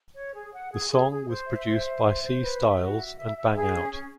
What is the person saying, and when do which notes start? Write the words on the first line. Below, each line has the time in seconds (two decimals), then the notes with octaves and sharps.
The song was produced by C. Styles and Bang Out.
0.15 C#5
0.34 G#4
0.53 F#5
0.72 G#4
0.90 G#4
1.10 G#4
1.28 C5
1.47 E5
1.66 C5
1.85 E5
2.03 C5
2.23 C5
2.42 B4
2.61 E5
2.80 F#4
2.98 E5
3.17 E5
3.36 E5
3.55 G#4
3.73 C#4
3.92 C#4